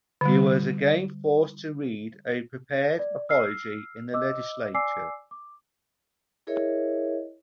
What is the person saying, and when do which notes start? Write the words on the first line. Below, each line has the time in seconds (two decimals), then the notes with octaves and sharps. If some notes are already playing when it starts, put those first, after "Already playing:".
He was again forced to read a prepared apology in the legislature.
0.21 D3 G3
2.99 D5
3.29 E6 F6 C7
4.13 D#5 D6 E6
4.75 D5 G#5 D6 E6 C7
5.31 D6
6.47 E4 G#4 A#4 C#5 D#5 E5